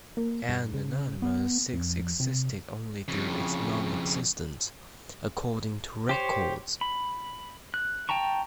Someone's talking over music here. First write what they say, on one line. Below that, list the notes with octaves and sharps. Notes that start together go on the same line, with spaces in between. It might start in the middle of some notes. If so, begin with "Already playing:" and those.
And Nemonymous Six existed only through its non-existence, according to records.
A#3
G2
C#3
B3
F2
C3
F2 C#3
G4 C5 C#5
B5
F#6
G5 A5 A#5 C#6